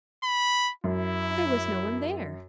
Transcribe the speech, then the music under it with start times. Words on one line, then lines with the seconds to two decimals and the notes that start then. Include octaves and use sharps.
There was no one there!
0.23 B5
0.84 F#2 E4